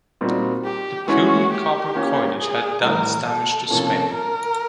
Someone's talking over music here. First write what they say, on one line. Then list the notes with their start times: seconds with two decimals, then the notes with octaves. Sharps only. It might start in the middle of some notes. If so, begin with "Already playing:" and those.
The purely copper coinage had done its damage to Spain.
0.21 A#2 G3 C4 D#4 F#4
0.64 G4
1.08 E3 G#3 C#4 E4 F#4
1.52 G4
1.95 A#3 C#4 F4
2.39 G#4
2.82 A2 E3 G3 A#4
3.26 A4
3.70 C3 F3 A#3 C#4 A4
4.14 A#4